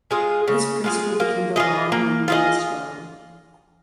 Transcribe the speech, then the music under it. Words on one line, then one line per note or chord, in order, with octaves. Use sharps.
This principle became the law in England as well.
G#3 F4 G#4
C#3
G#3 F4 G#4
A#3
F4 G#4 D#5
A#3
F4 G#4 D#5